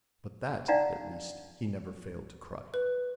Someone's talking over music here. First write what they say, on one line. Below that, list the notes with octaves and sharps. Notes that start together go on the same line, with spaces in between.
But that, at least, He never failed to cry.
D4 D#4 D5 F5 F#5 A#5
B4